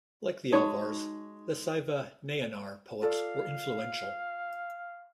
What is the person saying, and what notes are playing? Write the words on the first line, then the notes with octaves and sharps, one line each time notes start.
Like the Alvars the Saiva Nayanar poets were influential.
G#3 D#4 F#4 C#5 C#6
F4 A4 D5 F5